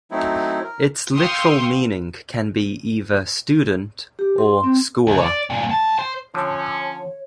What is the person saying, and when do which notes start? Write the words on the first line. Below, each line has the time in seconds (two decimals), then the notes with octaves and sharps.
Its literal meaning can be either "student" or "scholar".
0.11 F#3 A3 C4 D#4 E4
0.64 A#4
1.15 F5 G5 C6 C#6 D#6 E6
4.19 G4
4.38 C6
4.63 C4
5.07 C#2
5.21 C#5 D5
5.50 G2 A#2
5.69 D2 A5
5.99 C5
6.34 D3 F3 C#4 C#5